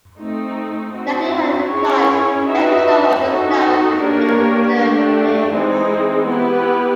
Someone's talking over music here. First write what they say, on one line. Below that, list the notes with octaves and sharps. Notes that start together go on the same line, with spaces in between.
Natalie Hurley replies, Every show on this network is in third place.
A3 C4 D#4
C4 D#4 F#4
C#4 E4 G#4 C#5
D#4 F#4 B4 E5
D#4 F#4 A4
A#3 D4 G4 A#4 C#5
A3 D4 G4
E3 G#3 C4 D#4
B3 E4 G4 B4